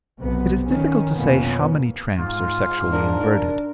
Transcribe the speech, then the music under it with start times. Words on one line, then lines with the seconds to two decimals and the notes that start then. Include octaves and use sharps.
It is difficult to say how many tramps are sexually inverted.
0.20 B1 C3 B3
0.65 D#3 C#4
1.13 F2 B2 A#3 B3 C#4
2.18 G#2 F4
2.92 D4 A#4